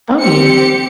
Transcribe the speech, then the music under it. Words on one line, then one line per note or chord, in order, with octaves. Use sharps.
Oh, yeah.
C4 G4 C#7